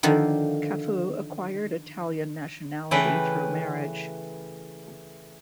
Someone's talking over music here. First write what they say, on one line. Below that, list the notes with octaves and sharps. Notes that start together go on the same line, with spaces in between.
Cafu acquired Italian nationality through marriage.
D3 D#3 F3
C#3 E3 A3 B4 G5